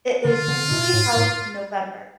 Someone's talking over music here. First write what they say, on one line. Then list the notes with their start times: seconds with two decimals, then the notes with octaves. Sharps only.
It is usually held in November.
0.25 D3 F4
0.48 D3
0.71 B2
0.93 A2
1.16 A2